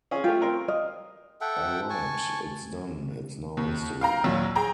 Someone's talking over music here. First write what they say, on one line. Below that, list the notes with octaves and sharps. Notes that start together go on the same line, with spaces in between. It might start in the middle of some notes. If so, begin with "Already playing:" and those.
Alright! It’s done! It’s now history.
C#4 F4 G#4
A3 F4 G4 G5
C4 A#4 C6
D#5 F6
A4 E5 F#5 G5
G#5 A5 C#6
D#2
F5 G5 A#5
A#1 D#2 F#3 E6
G#4 G5 A#5